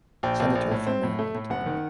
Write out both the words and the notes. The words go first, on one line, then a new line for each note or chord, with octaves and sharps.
Senator from Maryland.
A#1 G5
A#1
A#1
A2
C4
A2
A3
A2
F#1 F#5
D#3